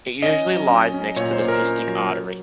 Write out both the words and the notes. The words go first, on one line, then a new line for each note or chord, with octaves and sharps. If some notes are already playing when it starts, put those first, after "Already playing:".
It usually lies next to the cystic artery.
C#4 D#5
F#3
C#4
C#4
A#2 C#5
C5
A#2
A#4
C#4
F#3
F#3